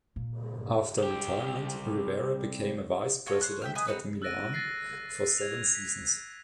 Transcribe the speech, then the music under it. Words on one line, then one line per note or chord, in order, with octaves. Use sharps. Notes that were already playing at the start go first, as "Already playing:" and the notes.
After retirement, Rivera became a vice-president at Milan for seven seasons.
A#2
C2 G4
F4 F#4 A4 C#5
C5 C#5 F#6
E5 G5 F6
B4 D#5 G#5 D#6
C4 D#4 F#4 B4
E6 F#6 A6 A#6 D7 D#7
F#6 A6 A#6 C7 D#7
G#6 F7
B6